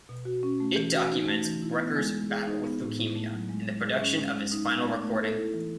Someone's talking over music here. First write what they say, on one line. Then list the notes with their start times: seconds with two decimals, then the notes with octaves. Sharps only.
It documents Brecker's battle with leukemia, and the production of his final recording.
0.09 B2
0.25 F#4
0.43 C#4
0.60 A3
0.76 E3
0.94 F#4
1.11 D#4
1.28 A3
1.45 E3
1.62 E4
1.79 B3
1.96 G#3
2.14 G#3
2.30 G#4
2.47 D#4
2.64 B3
2.81 A2
2.98 E4
3.16 A3
3.32 F#3
3.49 G#3
3.67 G#3
3.84 G#4
4.00 C#4
4.17 G#3
4.35 G#3
4.52 D#4
4.69 B3
4.86 A3
5.03 A3
5.20 A4
5.37 E4
5.54 E3